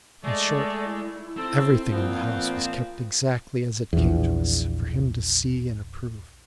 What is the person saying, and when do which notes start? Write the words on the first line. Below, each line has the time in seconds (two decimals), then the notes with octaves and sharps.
In short, everything in the house was kept exactly as it came to us, for him to see and approve.
0.24 G#3 A3 A4 D5 D#5
0.89 E4
1.37 C4 A4
1.91 A#2 F3 B3
3.93 A#1 E2